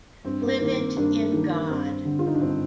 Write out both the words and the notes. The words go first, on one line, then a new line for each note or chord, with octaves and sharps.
Live it in God.
G2 C4
A#3
D#3 A#3
C4
G2 A#3 D4
D#3 A#3
G2 C4
D3
F4
D#4
D4
G2 C4